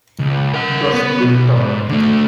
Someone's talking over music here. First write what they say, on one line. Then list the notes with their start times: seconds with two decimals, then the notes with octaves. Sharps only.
It was a good thought.
0.19 C#2
0.54 A#4 F#5
0.94 B3
1.23 B1 B2
1.55 G#2
1.89 D3 A3